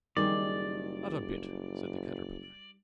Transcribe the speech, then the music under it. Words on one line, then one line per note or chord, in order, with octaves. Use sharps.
'Not a bit,' said the Caterpillar.
F#1 D#3 G3 D#4 G#4 D5